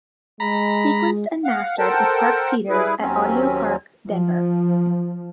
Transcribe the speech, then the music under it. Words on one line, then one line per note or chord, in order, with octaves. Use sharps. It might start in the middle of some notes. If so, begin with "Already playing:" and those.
Sequenced and mastered with Park Peters at Audio Park, Denver.
G#3 A#5 B5
F5 F#5
A4 A#4 C5 F#5 G5 A5
G3 E4 G#4 B4
D#2 F#3 C4 C#4
F3